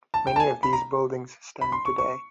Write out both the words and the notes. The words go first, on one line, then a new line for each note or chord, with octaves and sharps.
Many of these buildings stand today.
A5
G5
A5
G#5
B5
A#5
B5
C6
C#6
C#6